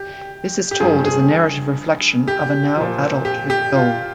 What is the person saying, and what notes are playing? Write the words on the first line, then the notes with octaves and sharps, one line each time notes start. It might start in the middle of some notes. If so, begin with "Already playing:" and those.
This is told as a narrative reflection of a now adult McDull.
Already playing: G4
G4
G2 F3 G#4
G#4
G4
A#2 F3
G4
G4
F4